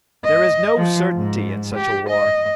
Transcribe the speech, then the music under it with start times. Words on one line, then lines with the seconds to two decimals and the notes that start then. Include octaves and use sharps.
There is no certainty in such a war.
0.25 D#5
0.77 F3
1.14 G#2
1.75 G4
2.09 D#5